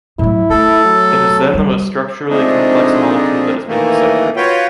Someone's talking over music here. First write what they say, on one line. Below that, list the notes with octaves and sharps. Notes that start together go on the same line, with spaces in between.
It is then the most structurally complex molecule that has been deciphered.
A2 F#3 E4
A3 A4
F#3
G3 F4
F3 G#3 A3 C4 D4 D#4
D#3 E3 A3 A#3
F4 F#4 B4 C#5 G5